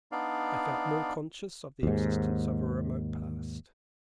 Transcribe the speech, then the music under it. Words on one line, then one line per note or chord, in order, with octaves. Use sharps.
I felt more conscious of the existence of a remote past.
B3 D4 D#4 D5 F5
D#2 G#2